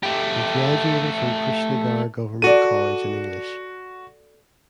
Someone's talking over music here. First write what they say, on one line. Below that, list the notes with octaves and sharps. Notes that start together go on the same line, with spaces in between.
He graduated from Krishnagar Government College in English.
A3 G4
F#4 A4 D5 D#7